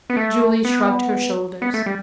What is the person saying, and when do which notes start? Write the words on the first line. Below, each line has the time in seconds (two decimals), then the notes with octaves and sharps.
Julie shrugged her shoulders.
0.10 B3
0.17 A3
0.65 B3
1.62 B3
1.74 A3
1.86 G3